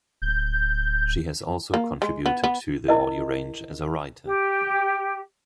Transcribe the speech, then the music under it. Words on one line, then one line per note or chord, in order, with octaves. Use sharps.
She has also contributed to the audio range as a writer.
D1 G6
A#3
G#3
B3
B3
E4 A#4 D#5
G4